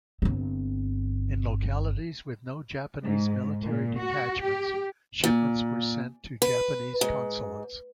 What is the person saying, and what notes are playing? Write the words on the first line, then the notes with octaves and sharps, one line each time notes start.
In localities with no Japanese military detachments, shipments were sent to Japanese consulates.
G1 C4
G#2
A#2
F#4
G4
A#2
B4
G#2